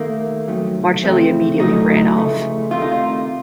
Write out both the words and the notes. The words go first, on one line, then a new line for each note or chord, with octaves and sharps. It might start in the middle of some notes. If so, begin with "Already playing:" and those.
Marcelli immediately ran off.
Already playing: D#2 D#3 A3 A#3
F2 D#3 F#3 A3
F2 C#3 F3 A3 C4
A2 F#3 A3 D#4
C#2 C#3 F3 A3
C#2 C3 D#3 A3 F4
D#4
F4